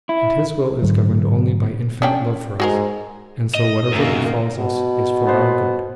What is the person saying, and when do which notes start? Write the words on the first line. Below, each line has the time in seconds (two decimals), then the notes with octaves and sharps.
And His will is governed only by infinite love for us, and so whatever befalls us is for our good.
0.09 E4
0.82 G#2 D3 F#3
2.02 C#4 D4 G5
2.60 G#2 F#4 G#4 A#4
3.55 D#5
3.92 F#2 A#2 D#3 A#3
4.58 B2
5.27 B3 C5